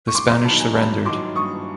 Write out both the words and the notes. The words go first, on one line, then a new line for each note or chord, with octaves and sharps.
The Spanish surrendered.
C#6
G2 C6 D6
A#5 C6
D#3 F#3 A5 B5
G#5 A#5
G2 A5 B5
D#3 F#3 C6 D6
G2 C#6 D#6